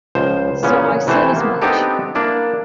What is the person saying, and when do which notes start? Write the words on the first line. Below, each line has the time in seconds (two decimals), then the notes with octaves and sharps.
So I said as much.
0.15 C#2 F3 C5
0.63 A#2 C#3 E3 B3 C#4
1.07 C3 E3 A3 F#4 C5
1.36 A#3 B3
1.62 B3 C4 D4 D#4 G4 A4
2.15 A#3 D4 E4